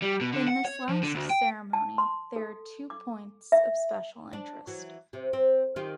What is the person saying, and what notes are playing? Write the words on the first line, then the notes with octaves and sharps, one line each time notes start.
In this last ceremony, there are two points of special interest.
G3
B2
D3
F#5
C#5
F3
D3
D2
G5
A5
C6
A4
D6
E5
D4
E3 F#3
C3
C4
D#3 F4 G4